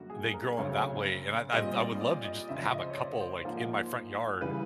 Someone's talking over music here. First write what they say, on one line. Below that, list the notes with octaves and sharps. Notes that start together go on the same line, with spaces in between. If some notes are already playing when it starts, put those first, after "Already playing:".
They grow 'em that way, and I'd I've I would love to just have a couple, like, in my front yard,
Already playing: F#2 D3 G3 A#3 F#4
G#4
A#4
D2 C#3 F#3 A3 C4 C#5
A#2 G3 C4 D#5
D5
D5
D#5
C#2 C#3 F3 E5
D#5
C5
C#5
D5
C5
G#2 F3 A#3
C#3 E3 G3 B4